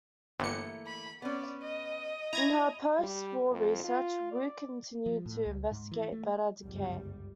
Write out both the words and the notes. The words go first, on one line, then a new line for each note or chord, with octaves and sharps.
In her post-war research, Wu continued to investigate beta decay.
G1 E3 A3 A#3 C#7
B5
B3 C#4 D5
D#5
E4 A#5 G#6 A#6
G3
F2
F4
D5
F3
A2
C#2
G#2
E3
A3
G1 C#2 F#2 G3